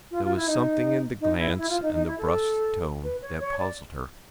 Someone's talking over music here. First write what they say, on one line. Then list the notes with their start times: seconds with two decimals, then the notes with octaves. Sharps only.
There was something in the glance and the brusque tone that puzzled her.
0.11 F4
0.24 F4
0.36 E4
0.48 D#4
1.21 D#4
1.39 E4
1.58 E4
1.69 F4
1.82 D#4
1.94 D#4
2.07 E4
2.18 A4
3.04 B4
3.22 C#5
3.40 C#5
3.58 D5